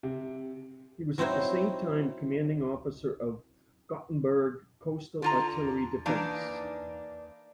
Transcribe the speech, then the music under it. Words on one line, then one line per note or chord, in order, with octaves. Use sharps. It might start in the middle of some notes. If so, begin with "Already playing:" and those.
He was at the same time commanding officer of Gothenburg Coastal Artillery Defence.
C3
F#3 C4 D#4 E4 C5
D3 F4 A#5
E3 A#3 D4 D#4